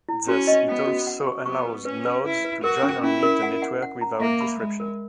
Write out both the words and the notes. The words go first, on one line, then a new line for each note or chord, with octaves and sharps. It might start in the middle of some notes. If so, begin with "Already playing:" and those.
Thus, it also allows nodes to join and leave the network without disruption.
E4
C#4 F#4
D#5
B3 C#4
F#4
F#5
C#6
B3 C#6
B4
C#4 B4
B4
E4 B4
B4
F#4 A#4
C#4
C#4 E4
A#4
F#5
F#5
F#5
A#5
A#3 E5
B5
G#3 E5
A#4